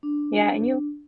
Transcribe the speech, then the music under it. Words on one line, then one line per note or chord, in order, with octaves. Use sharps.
Yeah, and you'll
D4